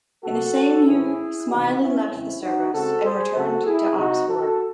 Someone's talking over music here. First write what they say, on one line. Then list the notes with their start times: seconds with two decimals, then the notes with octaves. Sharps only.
In the same year, Smiley left the Service and returned to Oxford.
0.24 C3 F#3 A3 F#4 A4
0.86 A2 E3 A3 C4 E4 G#4
1.48 C3 E3 A3 C4 D#4 F#4
1.80 C#4 E4
2.11 E2 C#3 G#3 C4 C#4 E4
2.42 D#4 F#4
2.73 C#3 G#3 C4 F#4 A4
3.04 G#4 C5
3.35 C#3 F#3 C4 F#4 A4
3.66 E4 G#4
3.97 C3 F#3 C4 D#4 F#4
4.29 F#4 A4